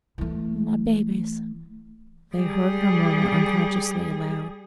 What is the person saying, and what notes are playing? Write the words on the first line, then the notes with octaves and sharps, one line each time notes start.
"My babies!" they heard her murmur unconsciously, aloud.
E3 A3
G3 G#4